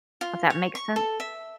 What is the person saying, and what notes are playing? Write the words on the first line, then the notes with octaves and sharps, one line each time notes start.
If that makes sense.
F4
C#5
C#6
A4
E5